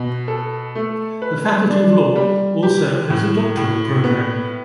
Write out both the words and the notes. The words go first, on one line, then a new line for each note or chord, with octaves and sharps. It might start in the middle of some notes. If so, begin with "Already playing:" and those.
The Faculty of law also has a doctoral program.
Already playing: B2
A4
A3
B4
D4
G3
G4
A2
A2
B3